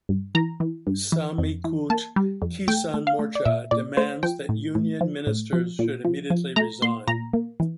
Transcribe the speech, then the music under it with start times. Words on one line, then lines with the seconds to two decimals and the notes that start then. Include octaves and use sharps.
Samyukt Kisan Morcha demands that Union Ministers should immediately resign.
0.09 G2
0.35 E3 A#5
0.60 E3
0.87 G2
1.12 E3
1.38 F2
1.64 E3
1.90 A#3 A5
2.16 G3
2.42 F2
2.68 A3 G5
2.94 A3
3.07 F5
3.19 A3
3.35 D5
3.45 A#2 E5
3.71 A#2 D5
3.97 A3 C5
4.23 F3 G5
4.49 A2
4.75 A2
5.01 F3
5.27 A2
5.53 F3
5.79 A#2
6.05 F3
6.30 F3
6.56 A3 A#5
6.82 A#2 C6
7.08 A#2 A#5
7.33 A#3
7.60 E3